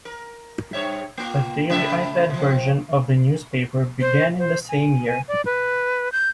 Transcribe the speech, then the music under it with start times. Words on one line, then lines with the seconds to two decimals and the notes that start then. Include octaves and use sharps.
A daily iPad version of the newspaper began in the same year.
0.05 A#4
0.73 G2 C#5 E5
1.18 A#3 F4
1.70 C#3 A3 E5
2.30 B2 F3
4.01 C5
4.39 C5
4.69 G#5
5.08 G#5
5.28 D5
5.46 B4
6.12 G6